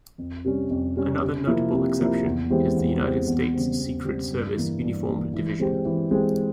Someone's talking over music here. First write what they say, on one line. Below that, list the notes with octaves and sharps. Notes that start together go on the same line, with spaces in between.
Another notable exception is the United States Secret Service Uniformed Division.
F2
C3 G3 C#4
F2
C3 G3 C#4
C3
F3 A#3 E4
C3
F3 A#3 E4
E2
E3 G#3 C4 G4
E2
E3 G#3 C4 G4
E2
C#3 G3 C4 G4
E2
C#3 G3 C4 G4
G2
E3 A#3
G2
E3 A#3
E3
G#3 C4 G4
E3
G#3 C4 G4